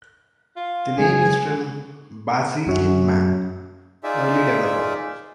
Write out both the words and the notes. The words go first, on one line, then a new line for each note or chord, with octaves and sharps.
The name is from Barzillian Mann, early developer.
F4
C#3 G#3 G#4 G#5
F#2 F#3
D#4 F4 G#4 D5 E5